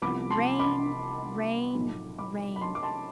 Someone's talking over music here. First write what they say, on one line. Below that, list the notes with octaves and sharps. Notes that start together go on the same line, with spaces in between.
Rain, rain, rain!
C2 C3 F3 B3 B5 D6
A5 C6
B5 D6
B1 A2 F3
B5 D6
B5
A5 C6
D6
A5 C6